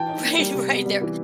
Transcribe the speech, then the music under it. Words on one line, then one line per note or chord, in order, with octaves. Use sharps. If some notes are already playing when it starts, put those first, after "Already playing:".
Right, right. Their
Already playing: E3 G5 A5
D#4
A#3
G3
C3
B3
G3
E3